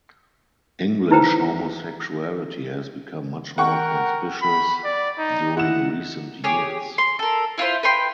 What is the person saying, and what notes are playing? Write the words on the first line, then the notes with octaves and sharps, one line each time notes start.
English homosexuality has become much more conspicuous during recent years.
D#4 E4 B4 C5 G5 A#5
A#4 F#5 G5 C#6
B5
D5
D#4
E4 F#5 E7
G4 G#4 C#5
C6
A4 A#4
E4 F4 B4 C5
B4 G5 C6